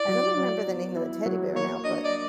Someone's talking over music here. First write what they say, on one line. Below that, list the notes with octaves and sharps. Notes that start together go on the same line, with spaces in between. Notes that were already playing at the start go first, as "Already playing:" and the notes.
I don't remember the name of the teddy bear now, but
Already playing: E4 D5
F#3
F#3
B3
E4
F#3
A#3 C#5
D4 D#5
D5